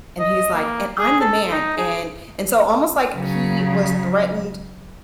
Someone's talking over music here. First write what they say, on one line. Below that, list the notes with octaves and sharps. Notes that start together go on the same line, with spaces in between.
And he's, like, "And I'm the man," and and so almost like he was threatened
D#5
A#3
G#4
A4
D#4
G#4
C#3 F#3